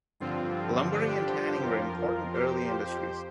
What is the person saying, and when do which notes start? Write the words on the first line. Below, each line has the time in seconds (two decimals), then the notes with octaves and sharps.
Lumbering and tanning were important early industries.
0.20 G2 D3 F3 C4 F4
0.92 D4 G4
1.27 G4 C5
1.63 F2 F3 F4 A#4
2.34 G4 C5